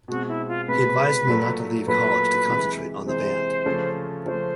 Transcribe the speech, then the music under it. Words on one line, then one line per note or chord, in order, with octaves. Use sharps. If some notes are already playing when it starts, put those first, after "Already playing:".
He advised me not to leave college to concentrate on the band.
B2 G#3 C4 F#4
E4
F4
B2 G#3 C4 B4
A#2 F#3 A3
A#2 F#3 A3 B4
C3 E3 G#3
C3 E3 G#3 C5
C#3 F3 A3 C#4
C#3 F3 A3 C#4 C5